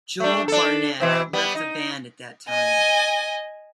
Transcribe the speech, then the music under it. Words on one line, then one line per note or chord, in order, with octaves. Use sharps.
Joel Barnett left the band at that time.
A3 D4
D4 A4
B2 E3 C4
G3 B3
D#4
D#5 G#5